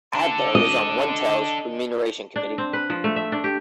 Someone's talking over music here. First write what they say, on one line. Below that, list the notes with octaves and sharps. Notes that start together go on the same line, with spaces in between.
Adler was on OneTel's remuneration committee.
D4 A4
D#5
D4
C4
B4
F3
A3
E5
D4
G4